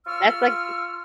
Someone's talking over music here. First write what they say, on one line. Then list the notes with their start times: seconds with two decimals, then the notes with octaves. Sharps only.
that's like
0.07 F4 C#6 E6 F6